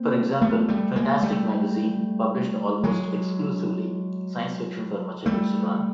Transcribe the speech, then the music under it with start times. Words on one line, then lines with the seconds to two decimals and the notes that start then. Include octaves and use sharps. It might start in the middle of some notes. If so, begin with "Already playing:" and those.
For example, "Fantastic" magazine published almost exclusively science fiction for much of its run.
Already playing: A#3 C4
0.42 A3 B3
0.68 G3 A3
0.96 G#3 A#3
1.23 G3 A3
2.84 F#3 G#3
5.26 G3 A3